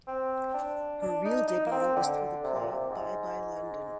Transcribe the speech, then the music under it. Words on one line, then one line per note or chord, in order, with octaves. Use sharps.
Her real debut was through the play "By Bye London".
C4
D4
D4
D#4
D#4
A#3
C4
D3
C3
A#2
C3
G#2